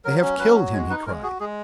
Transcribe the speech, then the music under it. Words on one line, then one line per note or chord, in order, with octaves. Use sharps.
"They have killed him!" he cried.
F#3 A#4
C#4
F#3 B4
F#4
G#3 C#5
D#4 B4
G#3 A#4
F#4 G#4
G#3 G#4